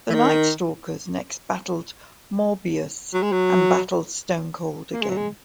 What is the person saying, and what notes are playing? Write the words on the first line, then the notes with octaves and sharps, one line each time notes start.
The Nightstalkers next battled Morbius, and battled Stonecold again.
E3
D#3
F#3
G#3
F#3
A#3
G#3
F#3
G#3